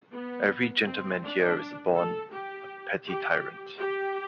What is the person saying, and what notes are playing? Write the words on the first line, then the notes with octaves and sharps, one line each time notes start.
Every gentlemen here is born a petty tyrant.
B3
C4
D4
A4
G4
G4
G4